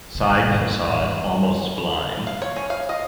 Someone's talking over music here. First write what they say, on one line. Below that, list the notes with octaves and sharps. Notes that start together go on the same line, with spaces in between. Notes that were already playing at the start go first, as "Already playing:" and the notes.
Side facade almost blind.
C#3 A3
D#3 C4
G#2
G#3
A2
G#2 D#4
F5
C#5
C#4
F5
D#5